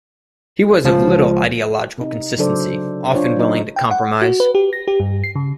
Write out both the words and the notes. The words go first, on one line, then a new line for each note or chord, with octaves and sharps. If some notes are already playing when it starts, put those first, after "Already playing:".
He was of little ideological consistency, often willing to compromise.
C#2 F3
C3 D#4
C#3 F#3 D4 A4 C5 D5
D4 F4 C5 C#5
F#3 D#4
G5
F#5
F#4
B4
G4
A#6
G4
G2
C7
C#3